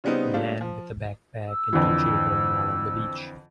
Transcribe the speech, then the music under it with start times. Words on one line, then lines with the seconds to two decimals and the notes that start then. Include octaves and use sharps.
A man with a backpack and two children are on the beach.
0.04 C#3 G3 B3 C4 D#4
0.34 G3 A3 A#3 D4 F4
0.61 F3
1.48 E6
1.73 F2 D3 E3